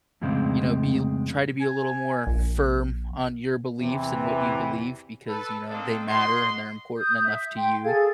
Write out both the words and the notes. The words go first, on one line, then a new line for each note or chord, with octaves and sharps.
you know, be "Try to be a little more firm on your beliefs and what you believe, because, you know, they matter and they're important enough to you.
F2 A2 C#3 G#3 C4
G#5
A#1
E2 C3 E3
A4 B4
A#3 C4 D4 A4 D#5
F#4 D#5 C6
D#6 G6
E5
G5 C6
G#4 A4 F5 G#6